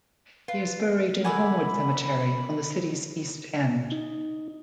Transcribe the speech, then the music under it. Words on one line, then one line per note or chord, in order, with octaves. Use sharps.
He is buried in Homewood Cemetery on the city's east end.
F4 B4
A4 A#4 C#5 D5 F#5 G#5 B5
D#4